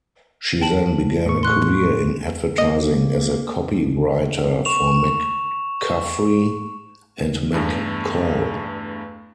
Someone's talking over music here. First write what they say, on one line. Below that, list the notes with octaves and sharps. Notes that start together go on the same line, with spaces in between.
She then began a career in advertising as a copywriter for McCaffrey and McCall.
G5 A5 F#7
A2 C#6
C6 F#6
A#3 D#5
C#6 E7 F7
E2 G2 A3